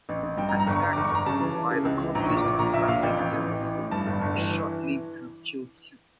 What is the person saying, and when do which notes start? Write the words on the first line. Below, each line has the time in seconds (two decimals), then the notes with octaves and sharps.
Attacks by the Communist Combatant Cells, a short-lived group, killed two.
0.09 A1
0.23 A1
0.37 G2 G5
0.49 A#5
0.52 G2
0.60 A#5
0.67 G1 C#6
0.82 D3 A#5
0.93 D6
0.97 G1
1.04 C#6
1.11 G1 A#5
1.26 C#3 A5
1.40 E3
1.55 E3
1.71 C#3
1.85 C#2
2.00 E3
2.15 A#1 A#5
2.25 C#6
2.29 A#2
2.37 D6
2.45 A#1 C#6
2.59 A#2 A#5
2.74 A#1 E5
2.88 A#2 F5
3.03 A1 G5
3.19 A1
3.32 E3
3.47 A1
3.62 E3
3.77 A2
3.91 G2 A5
4.06 G1
4.22 G1
4.36 E3
4.51 E3